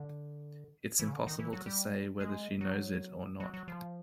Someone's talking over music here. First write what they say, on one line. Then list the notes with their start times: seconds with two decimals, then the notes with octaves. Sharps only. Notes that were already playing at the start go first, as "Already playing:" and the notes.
It's impossible to say whether she knows it or not.
Already playing: D3
0.99 E3
1.08 C#3
1.13 D3
1.27 D#3
1.39 E3
1.53 F#3
1.66 G3
2.20 G#3
2.61 F#3
3.40 F#3
3.54 F#3
3.68 F3